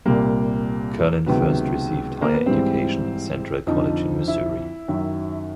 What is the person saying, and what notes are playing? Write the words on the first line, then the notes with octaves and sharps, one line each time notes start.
Kerlin first received higher education at Central College in Missouri.
C2 A#2 G3 A#3
C#2 C3 D#3 F#3 B3
A#3
B3
G#2 E3 G3 C4
F2 D3 F3 D#4
E4
F#2 D#3 F#3